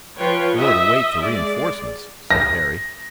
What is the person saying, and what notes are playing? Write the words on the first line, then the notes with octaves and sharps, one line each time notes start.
"Or to wait for reinforcements," said Harry.
F3 F4 B4 C#5 G5
D#5 E5
G#3 D5
A#6